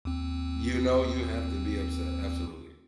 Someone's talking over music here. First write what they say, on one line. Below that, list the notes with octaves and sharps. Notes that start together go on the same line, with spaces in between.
You know, you have to be upset, absolutely.
D#2 C4